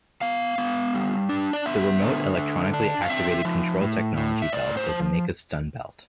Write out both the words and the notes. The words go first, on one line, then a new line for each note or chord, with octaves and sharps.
The Remote Electronically Activated Control Technology belt is a make of stun belt.
B3 F5
B3
G3
D4
D5
B3 E5
D3
D3
D4
F5
C4 E5
F3
A2
A2
E5
A2 D5
C5
F3